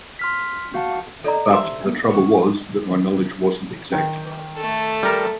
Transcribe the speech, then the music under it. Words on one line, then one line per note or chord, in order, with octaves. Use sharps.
But the trouble was that my knowledge wasn’t exact.
C6 F6 B6
F#4 F5 F#5 A5
D#4 A4 D5 A#5
G4 A4 C5 E5
F#4 C#6
D#3 G5
A3 A4
G3 A#4